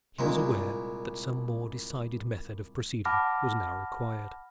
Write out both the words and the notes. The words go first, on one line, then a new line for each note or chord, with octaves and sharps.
He was aware that some more decided method of proceeding was now required.
C2 A#2 G#3
F#5 A5 B5 D6 F6 A#6